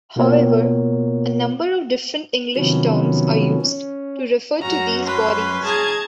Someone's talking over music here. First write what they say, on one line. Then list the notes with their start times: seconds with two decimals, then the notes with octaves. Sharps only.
However, a number of different English terms are used to refer to these bodies.
0.16 B2 A#3 B3 F4 A#4 C#5
2.56 C3 D#3 F3 F#3 B3 C#4
3.62 C#4
4.62 F#2 C#4 F#4 A#5
5.06 C#4 B4 C6
5.65 G#4 A5 A#5 G#6